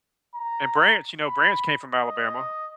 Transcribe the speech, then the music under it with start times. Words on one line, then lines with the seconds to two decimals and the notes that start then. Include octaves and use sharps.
And Branch, you know, Branch came from Alabama.
0.35 A#5
1.26 B5
1.96 D#5